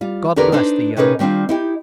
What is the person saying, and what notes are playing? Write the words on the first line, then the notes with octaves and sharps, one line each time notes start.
God bless the young!
G3 F4
E2 D3 G4 A#4 B4 D5
D4 D#4 B4 C5
C3 C#4 D#4 G#4 A#4 B4
D#3 G3 C4 D4 F4
D#4 E4 G4